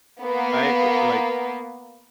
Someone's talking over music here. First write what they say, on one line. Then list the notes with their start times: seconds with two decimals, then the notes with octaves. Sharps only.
I, uh, like,
0.22 A#3 B3